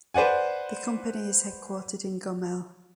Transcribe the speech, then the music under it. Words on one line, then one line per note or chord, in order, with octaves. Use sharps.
The company is headquartered in Gomel.
B4 C5 D5 F#5 G#5